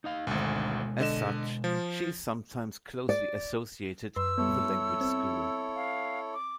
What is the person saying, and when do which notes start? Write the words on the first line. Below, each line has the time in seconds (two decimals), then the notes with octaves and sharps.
As such, she is sometimes closely associated with the Language School.
0.04 D#4 D#5 F5
0.27 G#1 D2 B2 G#3
1.00 D3 D#5 E7
1.64 F3
3.09 D5
4.16 F#2 B4 C6 E6
4.38 G3 B3 E4 A4 C#5
5.01 C4
5.75 F5
6.34 D6